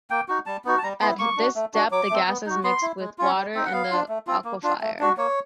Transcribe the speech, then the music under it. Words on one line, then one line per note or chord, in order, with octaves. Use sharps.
At this depth, the gases mixed with water in the aquifer.
A#3 G5
D#4 F#4
G3 A5
B3 D#4 F#4
A5
G3 A#5
B3 E4 C6
A#3 C#6
D4 F#4
A3
D4 F#4
F#3 D6
A3 C4
B3
D#4 F#4
B3 C6
E4
G#3
C#4 F4
G3
C4 D#4
F#5
B3 F5
D4 F4
A3
C4 F4
A#3
D4 F4
A3
D4 F#4
A#3 C#5